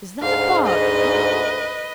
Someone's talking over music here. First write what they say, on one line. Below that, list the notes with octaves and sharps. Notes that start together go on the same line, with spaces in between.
Is that a bargain?'
D2 G#2 F5
B4 D#5